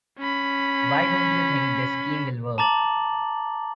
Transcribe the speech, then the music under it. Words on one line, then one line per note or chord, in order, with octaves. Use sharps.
Why don't you think this scheme will work?
C#4 B5
A5 A#5 D6 A6 F#7